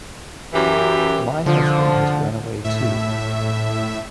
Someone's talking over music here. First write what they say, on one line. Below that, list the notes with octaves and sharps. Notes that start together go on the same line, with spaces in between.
My husband has run away too.
F#2 E3 G4
D3 F3
A2 E5